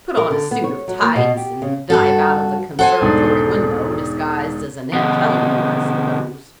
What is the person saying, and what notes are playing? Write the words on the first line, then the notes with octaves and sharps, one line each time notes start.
"Put on a suit of tights and dive out of the conservatory window disguised as Annette Kellerman, I suppose."
A#4
D3
B3
C#5
F#3
A#3
B2
G4
C#3
G2 F#4 A4
A4 C5 F#5 G#5
E1 G#2 D4
B2 D3